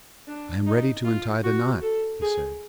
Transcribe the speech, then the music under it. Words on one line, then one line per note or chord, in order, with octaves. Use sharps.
"I am ready to untie the knot," he said.
D4
D#4
F4
F#4
A4
G#4